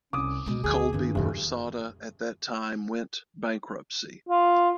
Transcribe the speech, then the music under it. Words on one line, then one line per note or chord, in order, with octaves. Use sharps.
Colby Persada at that time went bankruptcy.
C2 C#4 D6 D#6
B2 G#3 B3
D2 A3 G#4
G2 D#3 C4
D#1 F#2 F#3
F4